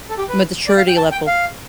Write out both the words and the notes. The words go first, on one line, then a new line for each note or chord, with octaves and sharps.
Maturity level.
A4
G4
B4
D5
F5
G5
A5
G5
F5